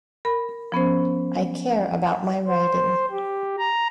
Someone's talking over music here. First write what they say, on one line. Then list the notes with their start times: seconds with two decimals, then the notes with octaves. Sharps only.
I care about my writing.
0.25 A#4 B5
0.72 F3 B3 C#4 C5
2.48 C5
3.11 G4
3.58 A#5